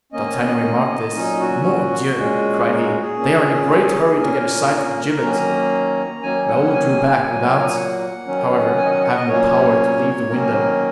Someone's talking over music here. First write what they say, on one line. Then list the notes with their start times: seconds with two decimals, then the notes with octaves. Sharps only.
D'Artagnan remarked this. "Mordioux!" cried he, "they are in a great hurry to get a sight of the gibbet!" Raoul drew back, without, however, having the power to leave the window.
0.12 D#3 A#3 C#4 D#5
1.14 A#2 F#3 C#4 D#4
1.39 F#4
1.65 F#4
2.16 A#2 G#3 C#4
2.67 D#4
2.84 F#4
3.01 G#4
3.18 A#2 A#3 C#4
4.19 A#2 A#3 C#4 A#4
5.21 D#3 F#3 A#3 C#4 A#5
6.23 D#3 F#3 A#3 C#4 G#5
6.48 F#5
6.74 G#5
7.25 A#2 F#3 A#3
7.60 A#5
7.68 G#5
7.75 F#5
8.26 D#3 F#3 C#4
8.77 G#5
8.85 D#5
8.90 F#5
8.98 D#5
9.03 F#5
9.15 D#5
9.28 A#2 F#3 A#3 C#4 C#5
10.30 D#3 F#3 A#3 C#4 A#4